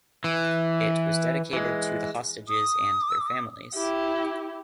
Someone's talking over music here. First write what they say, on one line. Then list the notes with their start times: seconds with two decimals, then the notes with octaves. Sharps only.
It was dedicated to the hostages and their families.
0.24 E3
1.53 E3 G#3
2.49 D#6
3.74 E4 G4